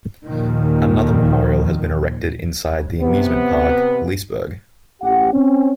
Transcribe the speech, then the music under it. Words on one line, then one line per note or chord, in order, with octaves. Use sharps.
Another memorial has been erected inside the amusement park Liseberg.
D#2 A#2 D#3 F3
C3 B3
A1 G4 F#5
C4 C#4